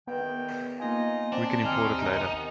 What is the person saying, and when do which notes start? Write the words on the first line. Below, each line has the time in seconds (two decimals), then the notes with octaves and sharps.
We can import it later.
0.07 E2 D#3 B3 G5
0.80 A#3 D#4 F4 D#5 G#5
1.32 C4 D4
1.64 D#2 D#4 G4 G#5 C6 F6
1.97 C3
2.20 D#3 B3